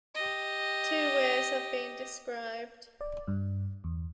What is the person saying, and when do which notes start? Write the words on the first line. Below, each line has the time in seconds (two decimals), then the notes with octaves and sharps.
Two ways have been described.
0.15 G4 D#5
3.01 D5
3.27 G2
3.84 E2